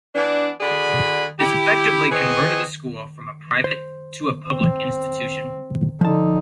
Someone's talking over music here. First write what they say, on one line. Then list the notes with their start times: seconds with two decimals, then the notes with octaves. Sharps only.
This effectively converted the school from a private to a public institution.
0.14 E3 B3 D4
0.61 D3 F#4 G#4 D5 B5
1.39 E4 G4
2.11 E3 C4 G#4 C#5 D#5
3.64 C5
4.50 C4
6.01 D3 F3 D#4 A5